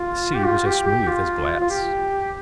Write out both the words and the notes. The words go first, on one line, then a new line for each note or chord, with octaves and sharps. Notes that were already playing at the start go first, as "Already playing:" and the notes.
The sea was as smooth as glass.
Already playing: F4
G4
F4
G4
G4
F4
F4
G4